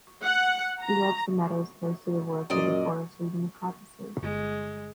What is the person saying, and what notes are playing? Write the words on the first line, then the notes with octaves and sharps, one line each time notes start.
She loves the meadows close to the woods or the forest, or even the coppices.
F#5
A#5
F#2 A#2 D5 D#5
G1 G#3